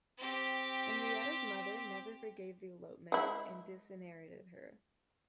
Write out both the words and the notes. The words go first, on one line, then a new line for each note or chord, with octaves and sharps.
Henrietta's mother never forgave the elopement, and disinherited her.
C4 G4
G#3 E4